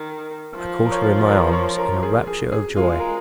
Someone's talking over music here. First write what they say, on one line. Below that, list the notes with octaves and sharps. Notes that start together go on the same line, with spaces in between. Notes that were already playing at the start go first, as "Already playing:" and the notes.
I caught her in my arms in a rapture of joy.
Already playing: D#3
F3
A#4
C#5
A#4
C#5
A#4
G#4
G#4
G#4
G#3 F4
A#4